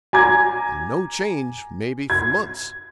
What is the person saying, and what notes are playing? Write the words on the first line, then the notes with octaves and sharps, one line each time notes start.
And no change, maybe, for months.
G#5 A#5 D6 G#6
G#6